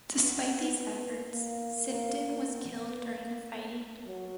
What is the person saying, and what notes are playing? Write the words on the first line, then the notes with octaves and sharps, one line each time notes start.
Despite these efforts, Sifton was killed during the fighting.
B3
A#3
A#3
B3
A#3
F#3